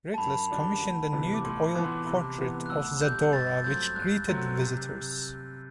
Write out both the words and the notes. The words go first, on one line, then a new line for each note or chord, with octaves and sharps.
Riklis commissioned a nude oil portrait of Zadora, which greeted visitors.
A5
F#2 B5
D3 G3 D4
D2
C3 E3 G3 B3
D6
A2 C6
E3 B3 D6
C6
D6
C3
E3 B3
F#6
D2 E6
D3 G3 G6
G2 A6
F#3 A3 C4 G6
G2 F#6
F#3 A3 C4
C3